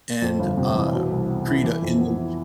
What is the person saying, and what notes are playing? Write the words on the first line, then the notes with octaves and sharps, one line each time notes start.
and, uh, create a image
F2
G1
C3
E3
B2
C2
B3
E4
E3
F2
B3
E4